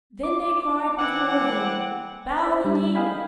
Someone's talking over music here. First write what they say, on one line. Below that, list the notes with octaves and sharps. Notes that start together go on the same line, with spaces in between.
Then they cried before him, Bow the knee!
D6
E3 C4 F#5
C5 D5 B5
G3 D4
D#5 F5 G5 G#5 B5